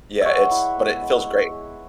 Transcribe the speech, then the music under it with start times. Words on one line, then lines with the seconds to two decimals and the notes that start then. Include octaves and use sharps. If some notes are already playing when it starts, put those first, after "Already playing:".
yeah, it's but it feels great.
0.21 G#3 C#5 E5 F#5
0.51 E4
0.76 B3
1.02 G#3
1.25 E4
1.51 G#3